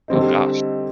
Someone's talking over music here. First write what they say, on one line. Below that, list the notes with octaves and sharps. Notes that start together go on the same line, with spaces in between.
Oh, gosh.
D3 G3 C4 D#4